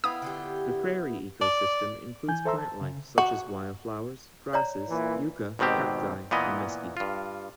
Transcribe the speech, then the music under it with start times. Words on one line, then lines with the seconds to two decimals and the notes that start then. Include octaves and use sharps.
The prairie ecosystem includes plant life such as wildflowers, grasses, yucca, cacti, and mesquite.
0.04 B3 E4 B4 F5 G5 D#6
0.22 D3 F4 G4
1.41 D5
2.28 E3 G#5 G6
2.45 A4 C5 E5 A#5 C6 E6
2.58 A5
2.81 C#3
3.18 F#4
4.53 C#5 D5 A#5
4.89 A#2 E3
5.59 G#1 B2 D#3 C4 G4
6.31 A#2 E3 B3 D#5
6.97 G2 F4